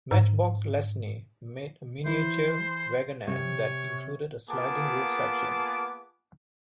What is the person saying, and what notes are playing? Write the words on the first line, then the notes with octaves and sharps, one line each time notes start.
Matchbox-Lesney made a miniature Wagonaire that included a sliding roof section.
G#2
E3 C5
C3 C#5
A#3 B3 F4 G#4 A5 D6